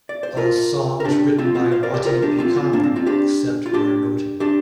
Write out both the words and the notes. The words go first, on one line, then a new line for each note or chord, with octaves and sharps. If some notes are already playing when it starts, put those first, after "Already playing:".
All songs written by Wattie Buchan, except where noted.
D5
C5
F4 A#4
A#4
D4 G4
C4 F4
C4 F4
C5 F5
A#4 D5
G4 C5
F4 A#4
D4 G4
C4 F4
C4 F4
A#3 D4
C4
C4 F4
D4 G4
F4
D4 G4
D4 G4